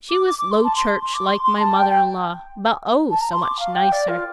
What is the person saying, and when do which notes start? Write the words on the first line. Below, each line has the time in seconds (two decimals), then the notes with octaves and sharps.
She was Low Church, like my mother-in-law; but, oh, so much nicer!
0.09 D6
0.26 D6
0.38 D6
0.51 C6
0.64 A5
0.76 C6
1.01 C6
1.14 D6
1.26 C6
1.42 C6
1.59 A5
1.76 G5
1.89 G5
3.10 A5
3.21 A#5
3.32 C6
3.42 D6
3.59 F5
3.75 G5
3.92 D5
4.08 F4